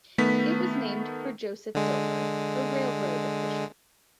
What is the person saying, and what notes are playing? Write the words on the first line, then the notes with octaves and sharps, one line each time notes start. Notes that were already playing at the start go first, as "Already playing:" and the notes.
It was named for Joseph Dilworth, a railroad official.
D#3 A3 B3 B6
D3 G#3